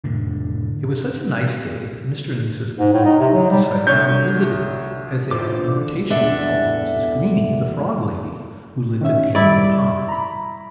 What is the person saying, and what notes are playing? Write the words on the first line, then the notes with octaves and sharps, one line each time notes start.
It was such a nice day that Mr. and Mrs. Wibblewobble decided to go visiting, as they had an invitation to call on Mrs. Greenie, the frog lady who lived at the end of the pond.
F1 A2 D3
G#2
A2
D#4
C3
F#3
G3
C2 D3 C#5 G6
D3 E3 F4 C5 D6
E2 D4 A4 E5
D#3 C#4 E5
F#2 G3 E4 D5
A#5 B5